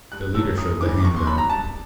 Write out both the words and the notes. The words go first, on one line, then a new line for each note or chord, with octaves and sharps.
The leader showed the handgun.
G2 F#6
D3 F#3 E6
F#2 D#6
C#3 E3 D6
D6
D#2 C#6
C6
D3 F#3 B5
A#5
G2 A5